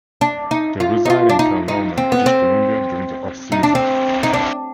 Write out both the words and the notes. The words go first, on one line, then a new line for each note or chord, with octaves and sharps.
They reside in Kelowna, British Columbia, during the off-season.
D4
D#4
F4
D#4
F4
D4
D#4
D#4
C4
B3
C4
D#4
D4
C4
D#4
D4